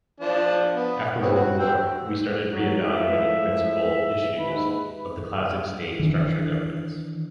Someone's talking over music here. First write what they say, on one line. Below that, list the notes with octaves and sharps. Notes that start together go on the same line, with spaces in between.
After World War, we started re-evaluating principal issues of the classic state structure governance.
F3 D4
B3
B3 C4 C#5
F#4
G5 E6
E3 F#3
A2 F3 G#3 E5
D#2 G#2 B4
D#3 E3 D4